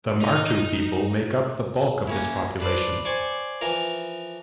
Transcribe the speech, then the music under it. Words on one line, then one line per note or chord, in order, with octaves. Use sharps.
The Martu people make up the bulk of this population.
D#4
A#3 C#4 E4
D4 B4 C5 D5
C5 D5 G5 G#5 C#6
E3 F3 A#4